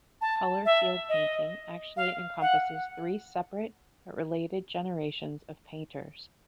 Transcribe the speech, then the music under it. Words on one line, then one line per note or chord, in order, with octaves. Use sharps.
Color Field painting actually encompasses three separate but related generations of painters.
A5
E5
D#5
F5
F#5